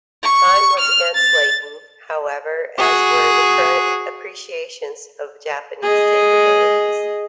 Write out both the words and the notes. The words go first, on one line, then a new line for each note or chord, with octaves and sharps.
Time was against Layton, however, as were the current appreciations of Japanese capabilities.
C#6
F6
A6
F#4 G#4
G#4 D#5